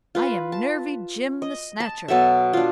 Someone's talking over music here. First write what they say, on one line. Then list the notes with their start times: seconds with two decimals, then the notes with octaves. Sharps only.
I am Nervy Jim the Snatcher.'
0.15 F4 B4
0.52 A5
1.42 D#5
1.80 A5
2.08 B2 F#3 A4 E5
2.53 D4 F4